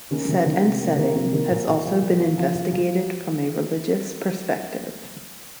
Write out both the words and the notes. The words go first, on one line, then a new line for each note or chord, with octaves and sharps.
Set and setting has also been investigated from a religious perspective.
D#3 A#3 C#4
D#3
D#3
C3
C3 A#3
D#3 A#3
C3 A#3
D#3 A#3
A#2
A#2
F3
F3
F3
F3
F3
F3